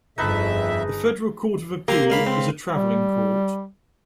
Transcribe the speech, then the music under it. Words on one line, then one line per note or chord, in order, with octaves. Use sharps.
The Federal Court of Appeal is a traveling Court.
G1 F2 D#4 G#4 B4 E5 A5
A#3 G4 A#5 C6
C#2 F5 B5
C4
G3